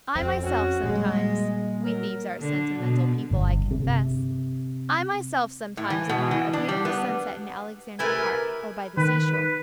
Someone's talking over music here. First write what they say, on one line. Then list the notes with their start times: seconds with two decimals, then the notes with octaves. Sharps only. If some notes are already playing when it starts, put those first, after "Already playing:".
I myself sometimes--we thieves are sentimental people, I confess--I myself sometimes admire a beautiful sunset in Aleksandra Park or by the sea-shore.
0.15 F2 C4
0.43 C#4 F#4
0.83 A#2 G3 G#3
1.84 F#3 A#4
2.39 D3
2.80 B2
3.31 G1
3.71 C3
5.77 A2
5.90 E3
6.09 B2
6.31 E3
6.53 D4
6.68 G3
6.85 B3
7.99 A3 E4 G4 A#4 B4 G#5
8.97 D#3 B4